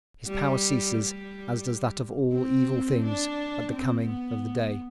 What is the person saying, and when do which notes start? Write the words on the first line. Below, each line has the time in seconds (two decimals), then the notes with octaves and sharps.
His power ceases, as does that of all evil things, at the coming of the day.
0.27 G3
0.96 G3
2.34 C4
3.03 D4
3.72 C4
4.06 B3